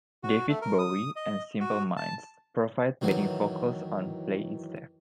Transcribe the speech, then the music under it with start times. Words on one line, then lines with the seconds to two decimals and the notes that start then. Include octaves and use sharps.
David Bowie and Simple Minds provide backing vocals on "Play It Safe".
0.23 F#4
0.49 A3
0.62 A#4
0.79 D#6
1.16 D#5
1.60 F#4
1.97 A5
3.01 F#2 A2 D#3 E3 F#3